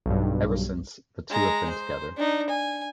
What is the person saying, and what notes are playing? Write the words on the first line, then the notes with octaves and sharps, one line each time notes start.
Ever since, the two have been together.
B1 G2
G#3 A#5
C5
D4 D#4
G#5